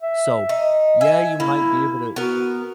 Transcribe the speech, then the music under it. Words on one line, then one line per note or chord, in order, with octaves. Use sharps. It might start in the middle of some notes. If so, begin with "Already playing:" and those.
so, yeah, you might be able to
E5
D#4
E5 G#5
A#3 E4
B3 F#4 A#4